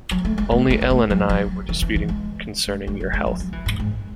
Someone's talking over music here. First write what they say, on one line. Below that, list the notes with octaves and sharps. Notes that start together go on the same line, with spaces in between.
Only Ellen and I were disputing concerning your health.
F#3
A3
G#3
A3
G#3
G#3
A3
F#3
F#3
E3
E3
E3
G#3
G#3
G#3
F#3
G#3
F#3
F#3
E3
G#2
G#2